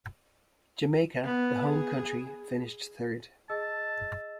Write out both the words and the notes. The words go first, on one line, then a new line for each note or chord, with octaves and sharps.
Jamaica, the home country, finished third.
B3
G#4
G#4 D#5 A5 E6